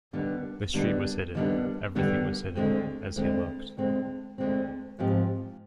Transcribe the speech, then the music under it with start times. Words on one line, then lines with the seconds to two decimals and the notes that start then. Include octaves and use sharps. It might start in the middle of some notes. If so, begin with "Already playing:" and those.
The street was hidden, everything was hidden, as he looked.
0.13 D#2 D3 G3 B3 D4
0.73 D#2 D3 G3 B3 D4
1.35 D#2 D3 G3 B3 D4
1.95 D#2 D3 G3 B3 D4
2.55 D2 D3 G#3 C4
3.16 D2 D3 G#3 C4
3.77 D2 D3 G#3 C4
4.38 D2 D3 G#3 C4
4.99 G#2 F3 C4 G4